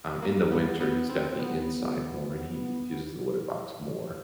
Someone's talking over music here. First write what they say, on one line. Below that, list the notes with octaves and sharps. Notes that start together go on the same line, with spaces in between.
Um, in the winter, he's definitely inside more, and he uses the litter box more,
A#3
B3
B3
C4
B3